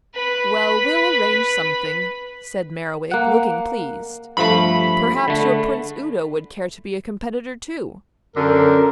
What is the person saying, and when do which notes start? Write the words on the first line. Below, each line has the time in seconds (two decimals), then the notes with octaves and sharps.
"Well, we'll arrange something," said Merriwig, looking pleased. "Perhaps your Prince Udo would care to be a competitor too."
0.15 B4 B5
3.11 A#3 F#5
4.37 G2 F3 A3 B5
5.28 D3 A3
8.36 F#2 D3 A#4